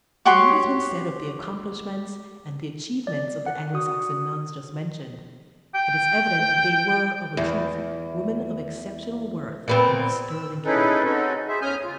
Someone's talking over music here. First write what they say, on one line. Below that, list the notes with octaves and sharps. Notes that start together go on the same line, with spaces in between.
From what has been said of the accomplishments and achievements of the Anglo-Saxon nuns just mentioned, it is evident that they were, of a truth, women of exceptional worth and of sterling character.
F#4 G4 C#5 C6
D5
F#5
F#4 D#6
G5
E2
A#2 B3 C4
E6
C#4 D#4 E4 G#4 A4 B4
C4 C#4 D#4 F#4 A4
G#4 C5 E5
E2 C#4 G#5 D#6 F6 G6
C#3 F4